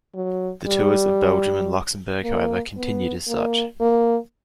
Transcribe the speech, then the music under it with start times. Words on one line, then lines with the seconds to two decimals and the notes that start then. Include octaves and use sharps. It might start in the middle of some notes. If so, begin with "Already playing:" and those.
The Tours of Belgium and Luxembourg however continued as such.
0.15 F#3
0.67 G3
2.23 A#3
2.77 B3
3.28 A#3
3.80 A#3